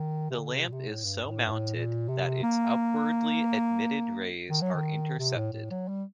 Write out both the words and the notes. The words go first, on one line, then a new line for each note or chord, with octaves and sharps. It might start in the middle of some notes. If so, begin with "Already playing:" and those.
The lamp is so mounted that its upwardly emitted rays are intercepted.
Already playing: D#3
C3
D3
C3
A#2
C3
A2
G2
G2
A2
G2
A2
A#2
C3
A#3
D#3
F#3
D#3
C3
A2
A2
F#3
G3